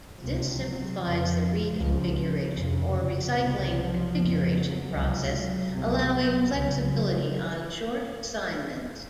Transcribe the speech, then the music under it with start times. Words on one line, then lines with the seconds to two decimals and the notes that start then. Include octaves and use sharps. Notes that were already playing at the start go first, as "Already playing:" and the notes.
This simplifies the reconfiguration or recycling configuration process allowing flexibility on short assignments.
0.19 C#2 C3 F3
0.59 F#3
0.99 F2 C#3 F3
1.77 C#2 C#3 F3
2.17 C#3
2.56 F2 C3
3.35 C2 C3 D#3
3.75 F3
4.15 F2 C#3
4.54 F#3
4.93 C#2 C3 F#3
5.32 F#3
5.72 C2 C3 F#3
6.51 C#2 C#3 F#3